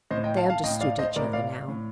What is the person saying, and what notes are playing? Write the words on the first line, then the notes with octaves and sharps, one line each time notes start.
They understood each other now.
A2 C5 D#5
D#5 G5
F5 A5
F5 A5
A2 D#5 G5
D5 F5
C5 D#5
A2 A#4 D5
D5 F5
A2